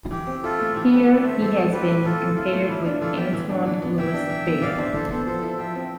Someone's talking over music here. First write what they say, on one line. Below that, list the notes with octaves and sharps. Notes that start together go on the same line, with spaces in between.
Here he has been compared with Antoine-Louis Barye.
E3 G4
C4
E4 F4 A4
A3
E3 G4
C4 G4 B4
E4 B4 D5
A3 C5 E5
E3 A4 C5
C4
E4 G4 B4
A3
E3 F4 A4
C4
E4 F4
A3
E3 E4
D4 F4
E3 F4 A4
B3 E5 G5
E3
D4
E3
B3
E3 E5 G5
D4
E3
B3
E3 D5 F5
D4 C5 E5
E3 A4 C5
B3 A4 C5
F3 A4 C5
E4
F3 E5 G5
C4